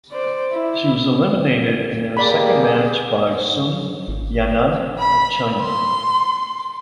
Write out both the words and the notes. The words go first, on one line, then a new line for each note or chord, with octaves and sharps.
She was eliminated in her second match by Sun Yanan of China.
C5 D5
E4
A#3 G4 G#4 D5 B5
G#1
B5
C6